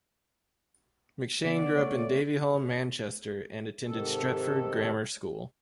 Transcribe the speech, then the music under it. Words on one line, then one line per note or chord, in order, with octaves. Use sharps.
McShane grew up in Davyhulme, Manchester and attended Stretford Grammar School.
C#3 B3 D5
A3 C#5
G#2 C3 D#3 A4